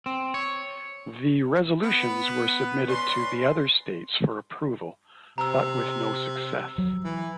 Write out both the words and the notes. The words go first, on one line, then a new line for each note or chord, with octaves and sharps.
The resolutions were submitted to the other states for approval, but with no success.
C4
C#5
B3 B4
C#4 B4 D5 C6
C3 A#5 E6
F#3
E3